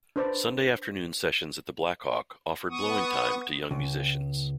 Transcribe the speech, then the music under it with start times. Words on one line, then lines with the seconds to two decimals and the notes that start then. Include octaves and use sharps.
Sunday afternoon sessions at the Black Hawk offered blowing time to young musicians.
0.16 D4 B4 C5 D5
2.71 B3 C#6 D#6
3.71 C#2